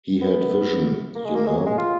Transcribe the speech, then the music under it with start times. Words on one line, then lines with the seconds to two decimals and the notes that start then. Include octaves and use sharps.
He had vision, you know?
0.21 B3
1.15 A#3
1.25 G#3
1.35 A#3
1.46 G#3
1.57 F#3
1.66 G#3
1.78 F4